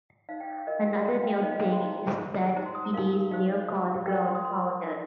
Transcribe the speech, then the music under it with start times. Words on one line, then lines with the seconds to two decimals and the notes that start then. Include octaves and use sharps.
Another new thing is that it is now called Ground Pounder.
0.29 D#4 C5 F5
0.40 G5
0.48 F5
0.67 F4 A#4 D#5
0.86 F5
0.95 C6
1.05 F4 C5 A#5
1.16 F5
1.24 G5
1.33 F5
1.42 D#4 C5 D#5
1.52 F5
1.62 G5
1.72 C6
1.81 D#4 C5 A#5
2.18 F4 C5
2.55 D#4 G4 C5 A#5
2.65 C6
2.75 D#6
2.85 A#5
2.93 D#4 A#4 F5
3.31 D#4 G4 C5 F5
3.69 F4 C5
4.07 F4 A#4 G5
4.17 A#5
4.26 C6
4.35 D#6
4.45 F4 A#4 C6
4.83 D#4 A#4